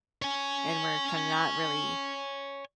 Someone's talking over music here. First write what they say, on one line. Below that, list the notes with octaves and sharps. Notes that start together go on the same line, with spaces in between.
and we're kinda not really
C#5 G#5